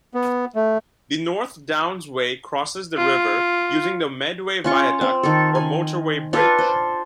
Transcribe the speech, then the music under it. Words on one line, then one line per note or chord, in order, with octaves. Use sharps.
The North Downs Way crosses the river using the Medway Viaduct or motorway bridge.
B3
A3
F4
C#4 F4 C#6
C4
D#3 A4
G#5
D4 F4 A4 B4
C5